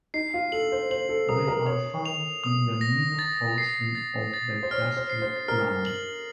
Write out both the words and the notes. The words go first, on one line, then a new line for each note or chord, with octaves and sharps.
They are found in the middle portion of the gastric glands.
D#4 C7
F4
A4 F#7
C5
C5 F#7
A4
A#4 D#6
A4
A#4
C#5 D#6
F7
D#6
A#6
A6
C7
A6
A6
C5
C#5 F6
C5
C7
C5
A#4 F6
F#7